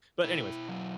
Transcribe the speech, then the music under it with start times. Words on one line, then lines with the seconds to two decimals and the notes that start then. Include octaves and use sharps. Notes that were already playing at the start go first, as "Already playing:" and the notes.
but anyways,
0.24 B2 E4
0.69 F#3